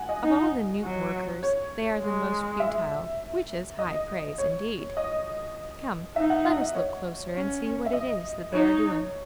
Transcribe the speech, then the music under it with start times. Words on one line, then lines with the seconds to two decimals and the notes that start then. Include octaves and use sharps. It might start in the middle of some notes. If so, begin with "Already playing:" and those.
Of all the newt workers, they are the most futile, which is high praise indeed. Come, let us look closer and see what it is that they are doing.
Already playing: F#5 G#5
0.09 D#5
0.24 D#4
0.83 F#3
1.43 C#5
2.01 G#3
2.60 E5
3.79 D#5
4.38 C#5
4.97 D#5
6.16 D#4 E5
6.30 F#5
6.45 F#5
6.60 D#5
6.75 C#5
7.34 C#4
7.86 E5
7.93 D#5
8.52 D#4 C#5